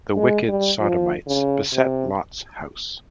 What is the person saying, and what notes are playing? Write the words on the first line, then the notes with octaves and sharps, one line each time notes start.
The wicked Sodomites beset Lot's house.
G#3
G3
F3
C#3
C3